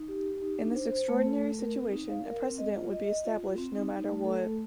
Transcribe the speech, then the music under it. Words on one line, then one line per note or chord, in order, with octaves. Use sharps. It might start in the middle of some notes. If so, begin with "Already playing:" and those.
In this extraordinary situation, a precedent would be established no matter what.
Already playing: D#4
G4
G4
D#4
D4
C5
C5
A3
A4
A3
A#4
C4
D#4
F5
A#4
C4
D#5
F4
D#5
D#5
F4
F4
C4
D#4
D#4
A3
A4
A3